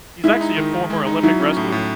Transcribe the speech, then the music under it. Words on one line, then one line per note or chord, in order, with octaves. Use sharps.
he's actually a former Olympic wrestler.
G#3 E4
D#4
D#3
D#3
G#3
D#4
F#3 E4
C#4
A2
A2